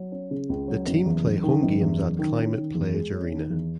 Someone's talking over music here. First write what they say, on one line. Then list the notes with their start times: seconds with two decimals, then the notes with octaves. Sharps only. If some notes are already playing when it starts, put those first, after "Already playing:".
The team play home games at Climate Pledge Arena.
Already playing: F#3
0.12 C#4
0.31 C#3
0.49 C#2
0.68 F#3
0.87 F#1
1.06 E2
1.25 F#1
1.43 D#3
1.62 F#1
1.81 E2
2.00 F#1
2.19 D#3
2.37 C#4
2.57 D#3
2.75 E2
2.94 G#3
3.13 C#4
3.32 D#3
3.50 E2